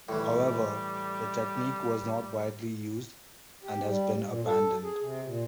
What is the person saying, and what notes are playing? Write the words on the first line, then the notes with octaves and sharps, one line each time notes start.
However, the technique was not widely used and has been abandoned.
A2 E3 G3
G4
G3
A#2
A4
G#4
C3
A#2